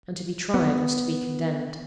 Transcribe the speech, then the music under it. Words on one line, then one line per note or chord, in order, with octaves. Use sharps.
And to be tried was to be condemned.
B3